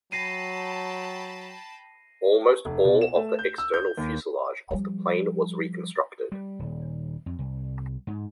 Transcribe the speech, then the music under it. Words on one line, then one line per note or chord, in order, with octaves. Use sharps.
Almost all of the external fuselage of the plane was reconstructed.
F#3 G5 A5 B5 A#6 C7 D#7
F1
B2
E7
A3
G6
E6
G6
D#2
F3 G3
G3
D#1
F2
C2
G#2